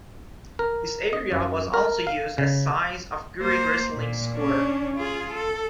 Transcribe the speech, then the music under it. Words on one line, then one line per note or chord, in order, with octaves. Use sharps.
This area was also used as the size of a Greek wrestling square.
A#4
D#5
F#2
A#4
F5
C#3
A#3 C5
A#2
C#4 D4
F4 G#4
A4